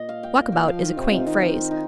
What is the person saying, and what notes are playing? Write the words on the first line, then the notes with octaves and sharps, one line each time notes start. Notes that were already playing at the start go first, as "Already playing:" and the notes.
Walk about is a quaint phrase.
Already playing: A#2 D#5
F5
G5
F5
G5
F3 F5
D#3 F4
C3 C4
C3 D#4 F4
D#3 D#4
C4
D#4